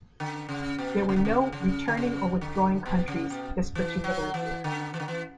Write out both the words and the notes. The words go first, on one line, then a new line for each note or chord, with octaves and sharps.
There were no returning or withdrawing countries this particular year.
D3
C#3
B2
C#3
D3
C#3
C#3
D3
C#3
D3
B2
C#3
B2
E3
F#3
E3
D3
E3
D3
E3